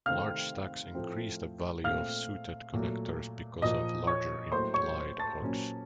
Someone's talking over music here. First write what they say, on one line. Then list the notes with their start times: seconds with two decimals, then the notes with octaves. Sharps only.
Large stacks increase the value of suited connectors because of larger implied odds.
0.06 C3 D#3 A3 C4 F5 F6
0.95 A2 F3 A3 C4
1.84 A#2 A3 C4 F5 F6
2.73 A#2 F#3 A3
3.62 A#2 F3 A#3 D#5 D#6
4.07 C#5 C#6
4.52 A2 F#3 A#3 C5 C6
4.74 C#5 C#6
5.19 A5 A6
5.41 A#2 F#3 A#3 C#4